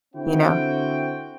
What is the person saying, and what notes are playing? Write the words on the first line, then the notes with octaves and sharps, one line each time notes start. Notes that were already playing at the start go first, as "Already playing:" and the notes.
you know,
D3 C4 E4 F#4 G5